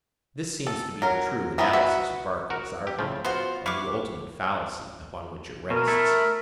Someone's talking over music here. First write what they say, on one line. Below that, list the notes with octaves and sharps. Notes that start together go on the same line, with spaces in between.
This seems to be the true analysis of Berkeley's argument, and the ultimate fallacy upon which it rests.
A4
F#3 A#4
D#3 F3 G#3 B3 E4
F#4 B4 E5
F#4 A#4
G4
A2 C#3 F3
B3 F4 F#4 C5
E4 B4 F5 C#6 D6
B2 A#4
A3 E4